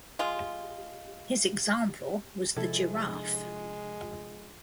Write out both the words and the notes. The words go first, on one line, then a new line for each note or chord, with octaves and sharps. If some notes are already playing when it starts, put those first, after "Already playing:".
His example was the giraffe.
G#3 F4
C3 F3 G#3 E4 A4